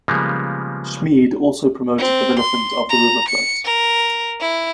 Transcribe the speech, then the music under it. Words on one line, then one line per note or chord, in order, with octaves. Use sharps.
Schmied also promoted development of the riverfront.
C#3 F3 G3 G#3 A#3 B3
C4
C6
A#5
C#7
A#4
E4